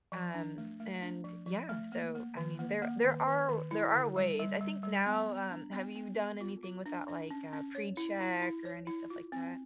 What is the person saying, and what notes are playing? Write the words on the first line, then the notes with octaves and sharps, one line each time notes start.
um, and yeah, so, I mean, there there are there are ways. I think now, um, have you done anything with that, like, uh, precheck or any stuff like that?
F3
D4
A3
A3
D4
F3
F3
A3
A#3
A#3
D#3
A#3
A#3
D#3
D#3
D#3
E4
D3
G3
G3
G3
G3
B3
B3
D4
B3
B3
B3
F4
F4
D4
D4
C#4
C#4
C#5
E4
E4
E4
C#5
E4
F4
C4